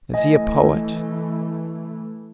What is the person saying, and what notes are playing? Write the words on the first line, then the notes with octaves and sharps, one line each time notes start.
Is he a poet?
E3 A3 D#5 G#5